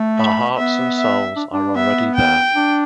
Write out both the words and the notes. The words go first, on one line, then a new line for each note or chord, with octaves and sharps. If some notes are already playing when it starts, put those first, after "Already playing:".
Our hearts and souls are already there.
Already playing: A3
B5
B3 E5
E5
D4
D4
B3 E5
G5
D4